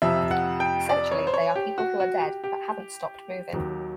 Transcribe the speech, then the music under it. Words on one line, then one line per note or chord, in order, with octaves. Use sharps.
Essentially, they are people who are dead, but haven't stopped moving.
F2 C3 F3 E5
F#5
G5
D5
C#5
C5
C#5
G4
F#4
F#4
G4
G4
D#2 D#3 F#3